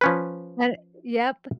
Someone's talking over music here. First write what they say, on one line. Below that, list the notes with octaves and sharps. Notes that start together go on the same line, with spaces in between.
and yep.
F3 C#4 B4